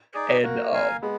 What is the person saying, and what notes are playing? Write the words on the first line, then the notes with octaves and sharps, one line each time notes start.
And, um,
D#4 G#4 D5
A#3 F#4
A#4 F5 G#5
G#3 B3